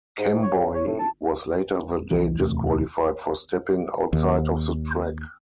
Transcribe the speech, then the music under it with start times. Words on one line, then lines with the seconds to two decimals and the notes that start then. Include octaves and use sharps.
Kemboi was later that day disqualified for stepping outside of the track.
0.18 G#2
0.42 C#5
0.56 C#3
0.74 C#5
0.87 A2
0.99 A5
2.11 C2 E3
2.39 D1 E2 C3 A3
4.13 D#2